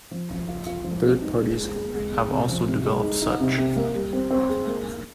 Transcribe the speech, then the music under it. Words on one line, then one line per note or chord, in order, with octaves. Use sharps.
Third parties have also developed such.
F3
F3
F4
F4
F3
C4
D#4
G#3
G#3
G#4
G#3
G#3
C3
F3
C3
G#3
D#4
D#4
C3
C3
A#3
G3
C4
C4
G#4
A#3